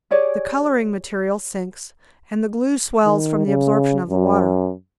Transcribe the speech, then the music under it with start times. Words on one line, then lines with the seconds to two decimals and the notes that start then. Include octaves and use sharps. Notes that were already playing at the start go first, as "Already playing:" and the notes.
The coloring material sinks, and the glue swells from the absorption of the water.
0.11 G4 G#4 C#5 D5
3.05 D#3
3.46 C#3
4.10 F#2